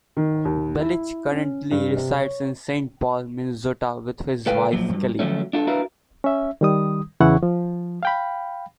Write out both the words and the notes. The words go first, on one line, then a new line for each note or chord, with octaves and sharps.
Belich currently resides in Saint Paul, Minnesota, with his wife Kelly.
D#3
D#2
E4
C#4
G2
C3
C#5
C#2 A4 B4 F5 G5
A#2 F3 F#3
G2
D3 F3 F#3 A3 C#4
D4 F4 A4
D4 E4 F#4 A#4 B4 F5
C#4 E5
D#3 G3 D#6
E2 C#3 E3 E4 F#5 C#6
F3
F5 G5 B5